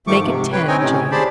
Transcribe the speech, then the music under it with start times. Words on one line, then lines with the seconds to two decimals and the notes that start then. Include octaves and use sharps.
"Make it ten, Jane."
0.07 G#2 D#3 F3 A3 C#6 D6
0.24 G#2 C3
0.52 B4 C#5 G5
0.68 C4 D#4 C#5 D#5 G5 G#5
0.79 A2 C3 C#4
1.12 G4 G#4 C5 D5 A5 B5